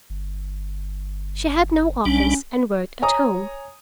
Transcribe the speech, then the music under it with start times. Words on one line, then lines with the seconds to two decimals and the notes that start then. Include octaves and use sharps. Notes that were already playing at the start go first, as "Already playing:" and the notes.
She had no office, and worked at home.
0.10 G1
2.05 B1 G3 C#4 D4
3.02 C#5 G#5 A#5 D#6